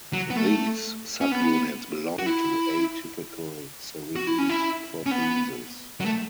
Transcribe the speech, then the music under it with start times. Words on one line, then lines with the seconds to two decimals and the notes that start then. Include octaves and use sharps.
These subunits belong to atypical serine proteases.
0.13 F#3
0.30 B3
0.36 A3
1.21 C#4
1.32 B3
2.19 F#4
2.26 E4
4.16 F#4
4.27 E4
4.38 C#4
4.49 E4
5.06 C#4
5.11 B3
6.00 F#3
6.05 A3